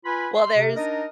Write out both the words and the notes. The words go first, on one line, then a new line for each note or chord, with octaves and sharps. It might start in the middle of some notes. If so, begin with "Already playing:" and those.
Well, there's
F4 B4 G#5 B5
C6
C3
D4 D#4 A#4 D#5